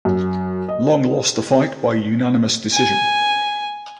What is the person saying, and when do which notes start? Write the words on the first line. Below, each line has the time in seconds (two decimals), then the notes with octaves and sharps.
Long lost the fight by unanimous decision.
0.05 F#2
0.68 D#5
2.72 G#5